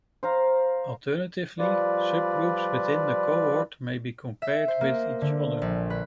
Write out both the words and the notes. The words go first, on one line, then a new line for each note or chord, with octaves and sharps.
Alternatively, subgroups within the cohort may be compared with each other.
C5 F5 A#5
F3 G3 F4 B4 D5
E5
C5
A#3
D3
A#1
B4